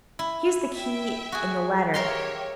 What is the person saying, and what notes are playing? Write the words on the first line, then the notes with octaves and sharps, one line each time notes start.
Here's the key in the letter.
E4
E5 G5
F#4 G#4
G4 A#4 C#5 E5 F5 C6